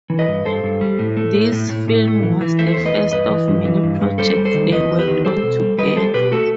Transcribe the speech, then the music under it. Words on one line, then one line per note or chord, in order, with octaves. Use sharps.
This film was the first of many projects they worked on together.
E3
B4 D#5
G2
G2 A4 C5
G2
G3
A2
A3
A2
A2
A2
A2
A3
E3
E3
A3 C5 E5
E2 C5
B4 D#5
E2
G2 B4 D#5
E3
G2
E3
G2
G2
G3 A4 C5
G3
A4 C5
D#3
E2 B4 D#5
E2
G4 B4
D#3
G3 A4 C5
B2
G3
G3 B4 D#5
G3 A4 C5
B2 G4 B4
A3 F#4 A4